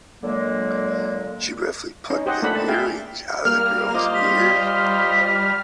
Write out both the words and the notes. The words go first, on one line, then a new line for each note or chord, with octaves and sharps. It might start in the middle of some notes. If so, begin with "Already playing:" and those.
She roughly plucked the earrings out of the girl's ears.
A#2 D3 F#3 G#3 A#3
C#4 D#4
G4 C5 D#5 F#5
A3 A#3 D4 F4 F#5 B5
D4 A5
G#4 E5 F5 G5
G3 A#3 F6
F4 C5 D#5 D6
G3 B6